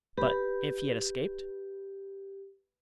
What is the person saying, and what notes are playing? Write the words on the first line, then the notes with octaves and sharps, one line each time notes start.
"But if he had escaped?"
G4 B4